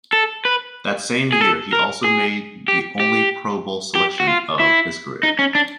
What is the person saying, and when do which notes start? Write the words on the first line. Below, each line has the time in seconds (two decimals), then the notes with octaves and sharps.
That same year, he also made the only Pro Bowl selection of his career.
0.13 A4
0.45 B4
1.32 G#4
1.41 A4
1.73 A#4
2.04 G#4
2.68 G4
3.00 G4
3.95 G4
4.20 F#4
4.27 F4
4.60 E4
5.23 D#4
5.39 C#4
5.55 D4